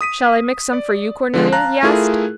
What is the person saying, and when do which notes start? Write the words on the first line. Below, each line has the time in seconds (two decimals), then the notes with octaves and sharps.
"Shall I mix some for you, Cornelia?" he asked.
0.01 D#6 B6 D#7
0.73 D5
1.34 D3 F3 G#3
1.52 F5 A5 A#5 F#6
1.83 A3 E4 F4 G#4 A#4